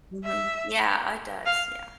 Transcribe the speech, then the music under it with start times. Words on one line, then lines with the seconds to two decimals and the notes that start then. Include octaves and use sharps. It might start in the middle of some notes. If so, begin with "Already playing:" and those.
Mhm yeah, it does, yeah.
0.24 E5
1.46 F5